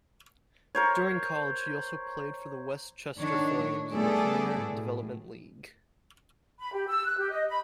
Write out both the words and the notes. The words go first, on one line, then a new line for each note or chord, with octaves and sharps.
During college, he also played for the Westchester Flames in the Premier Development League.
A#4 C5 C#5
D#3 D4 C#5
G3 A3 B3 G#4 A4 D5
A2
B5
G4
E6
F#6
G4
D#5
B5